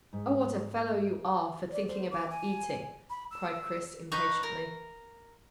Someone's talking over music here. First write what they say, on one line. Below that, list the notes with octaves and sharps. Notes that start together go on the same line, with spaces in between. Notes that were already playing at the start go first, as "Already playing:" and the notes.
"Oh, what a fellow you are for thinking about eating!" cried Chris impatiently.
G#2
D5
C5
D6
G#5
B5
E6
D#4 B4 C#6
A#4